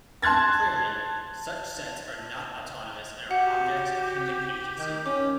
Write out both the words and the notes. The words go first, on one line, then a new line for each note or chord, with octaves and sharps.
Clearly, such sets are not autonomous and are objects of human agency.
A5 C6 F#6 G#6 A6
F#4 G4 F#5
D#3
C#4 D6